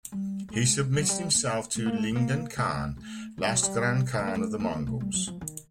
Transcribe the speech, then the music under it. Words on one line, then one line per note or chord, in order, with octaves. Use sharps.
He submitted himself to Ligdan Khan, last grand khan of the Mongols.
G3
A3
G#3
G3
F#3
G3
A#3
A3
A#3
A3
A3
A#3
A3
A3
G#3
G3
F#3
G3
A3
A#3
A3
A#3
A#3
A3
G3
F#3
F3
D#3